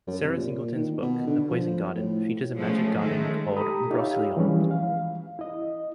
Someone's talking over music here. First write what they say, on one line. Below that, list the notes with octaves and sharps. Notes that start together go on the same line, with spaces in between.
Sarah Singleton's book "The Poison Garden" features a magic garden called Broceliande.
F#2
C3
A#2
D#3
B2
D3
F3
A2
B2 F3 F#3 G#3 A3 C#4
D#3 G#3 A3
G4 A4 A#5 B5 D#6
D#4 F4 G4 C#5 E5 F5
E3 F3 G3 G#3 C#4
F5
E4 D#5